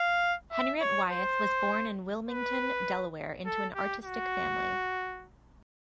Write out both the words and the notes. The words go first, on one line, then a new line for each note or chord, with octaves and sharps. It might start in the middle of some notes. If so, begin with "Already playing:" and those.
Henriette Wyeth was born in Wilmington, Delaware, into an artistic family.
Already playing: F5
E5
C#5
C5
B4
A4
G4
F#4